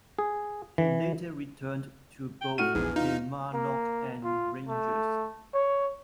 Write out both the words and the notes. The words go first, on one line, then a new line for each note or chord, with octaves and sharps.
He later returned to both Kilmarnock and Rangers.
G#4
E3
G5
A2 F#4 F6 D#7
A#1 E2 G#4
D#4 F4
A#3
F4
A3
C#5